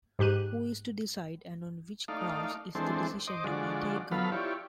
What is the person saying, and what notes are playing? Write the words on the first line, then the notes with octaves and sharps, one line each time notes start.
Who is to decide, and on which grounds is the decision to be taken?
G#2 G4 F#6 D#7
A3 D#4 D5 F5
E3 G#3 C4 D4 A4 C5
C5 D#5 D6
D3 F3 G#3 F#4 D5
F3 F#3 B3 A4 F5 B5
E4 F4 G4 C#5 D5